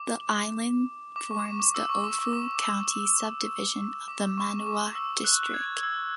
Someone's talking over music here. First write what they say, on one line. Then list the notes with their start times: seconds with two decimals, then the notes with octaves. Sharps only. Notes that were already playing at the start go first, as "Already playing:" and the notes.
The island forms the Ofu County subdivision of the Manua District.
Already playing: D6
1.16 D6
1.31 C#6
1.46 D6
1.60 D6
1.75 E6
1.89 C#6
2.04 D6
2.19 C#6
2.33 D6
2.62 E6
4.08 D6
4.38 C#6
4.67 D6
4.95 E6
5.24 F#6
5.54 G#6
5.83 E6